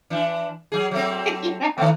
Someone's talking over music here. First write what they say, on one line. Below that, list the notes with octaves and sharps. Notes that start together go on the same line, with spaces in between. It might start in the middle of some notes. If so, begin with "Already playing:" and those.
You know?
E3 D4
F#3 G#4
F#3 A3 C4
D#3 A3